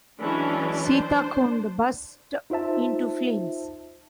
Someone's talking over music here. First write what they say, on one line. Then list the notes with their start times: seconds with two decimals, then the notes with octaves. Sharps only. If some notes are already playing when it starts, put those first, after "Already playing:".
"Sitakund" burst into flames.
0.19 E3 F#3 G#3 C#4 D4
0.83 D4 C5
2.50 D#4 F4 C5 E5 A5